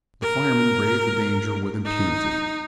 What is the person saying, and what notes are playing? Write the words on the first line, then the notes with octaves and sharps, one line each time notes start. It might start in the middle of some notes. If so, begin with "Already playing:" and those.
The firemen braved the danger with impunity.
A#4
D#4